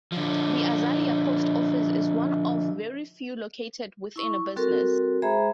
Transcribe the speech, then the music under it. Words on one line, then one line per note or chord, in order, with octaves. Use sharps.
The Azalia post office is one of very few located within a business.
D3 F3
E4 C#6
G3 C4 F#4 A4 A#4
G#3 G#4 C5 E5 A#5 B5